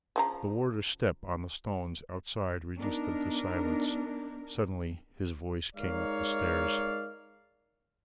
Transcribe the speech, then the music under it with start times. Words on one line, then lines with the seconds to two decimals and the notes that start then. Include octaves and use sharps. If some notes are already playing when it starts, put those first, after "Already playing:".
The warder's step on the stones outside reduced them to silence. Suddenly his voice came up the stairs.
0.16 C#3 F3 A#5
2.79 B3 D4 D#4 A#4
5.76 G#3 D#4 A#4 C#5 D5 F5